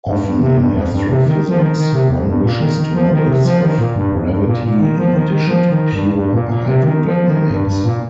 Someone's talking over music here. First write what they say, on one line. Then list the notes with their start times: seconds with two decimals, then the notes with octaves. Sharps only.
Often in astrophysics, one wishes to model self-gravity in addition to pure hydrodynamics.
0.07 G2
0.24 G2
0.41 C3
0.58 G2
0.75 F2
0.92 G2
1.09 C3
1.26 D#3
1.49 F3
1.59 D#3
1.76 D#3
1.93 C3
2.10 F2
2.27 G2
2.44 A#2
2.60 D#3
2.78 D#3
2.94 F3
3.11 D#3
3.28 C3
3.45 F3
3.62 D#3
3.78 A#2
3.96 G2
4.13 F2
4.30 G2
4.46 A#2
4.63 A#2
4.80 D#3
4.98 F3
5.13 D#3
5.31 D#3
5.47 F3
5.70 D#3
5.93 G2
6.15 G2
6.33 A#2
6.49 A#2
6.66 C3
6.83 D#3
7.06 F3
7.28 D#3
7.51 G2
7.67 G2
7.84 A#2